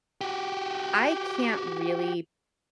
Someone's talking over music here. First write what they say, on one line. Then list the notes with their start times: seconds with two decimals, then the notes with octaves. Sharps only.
I can't really
0.21 F#4 G4